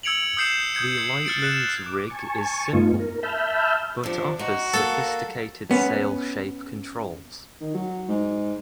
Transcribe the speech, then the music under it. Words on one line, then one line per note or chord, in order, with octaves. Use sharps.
The Lightning's rig is simple, but offers sophisticated sail shape controls.
E6 G#6 C#7 D7 F7 F#7
D#6 E6 G6 C7 C#7 E7
D#6 G6 G#6 C#7
C7
F6 A6 C#7 D7
F#6 E7
D6
G#5 A5 C#6
G2 A3 B3 D#4 F4
A#4
E5 A5 B5 E6 F6 G6
C3 F3 D4
D#4 F#4
A#3 D4 A4
B3 C#4
D#3
F#3
G#2